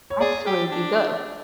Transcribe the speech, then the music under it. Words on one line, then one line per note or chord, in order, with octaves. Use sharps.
actually be good.
C#5
G#4 D5
G4
D4